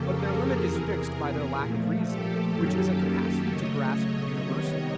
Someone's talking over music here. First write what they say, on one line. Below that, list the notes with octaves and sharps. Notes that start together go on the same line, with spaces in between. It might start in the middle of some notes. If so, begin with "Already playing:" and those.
But their limit is fixed by their lack of reason, which is a capacity to grasp the universal.
Already playing: F2 C#3 F3 A#3 C#4 G4 A4
G#4 A#4
E2 C3 E3
A#2 F3 A3
G4 A4
F#2 D#3 F#3 A#3 C#4
C#3 F#3 A3 C#5 D#5
C#5 D#5
C3 D#3 G3 B3